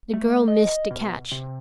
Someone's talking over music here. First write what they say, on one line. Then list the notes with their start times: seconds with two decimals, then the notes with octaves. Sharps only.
The girl missed the catch.
0.14 A3
0.48 D#5
0.91 B2
1.32 C3